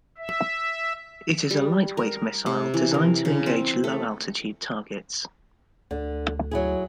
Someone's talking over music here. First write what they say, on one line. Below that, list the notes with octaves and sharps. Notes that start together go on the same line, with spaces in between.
It is a light weight missile designed to engage low altitude targets.
E5
G3
A#4
C3
E3
A#4
C#3
C4
A3
D2 D3
F#3 E4 G#4